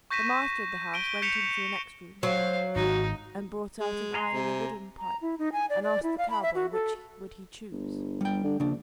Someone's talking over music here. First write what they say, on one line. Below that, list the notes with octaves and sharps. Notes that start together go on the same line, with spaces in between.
The master of the house went into the next room and brought out an iron and a wooden pike, and asked the cowboy which would he choose.
C#6 G6 A#6 B6 D#7 E7
D7 D#7 G7
G6 B6 C#7 E7 F7
F#3 C5 F5
G#1 D#4 F#4
G#3
G#5 A#5 C6
C3
A#5
E4
D#4
G#5
D5
D5
E4
F5
B5
E5
F#4
A4
G1
G3 G5
D3
A#1 C#3 D4